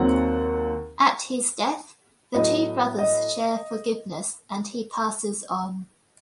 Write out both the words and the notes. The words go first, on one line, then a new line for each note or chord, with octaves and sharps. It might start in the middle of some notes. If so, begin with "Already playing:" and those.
At his death the two brothers share forgiveness and he passes on.
Already playing: D#2 D#3 F#3 C4 F#5
A2 F#3 B3 D#5
D#5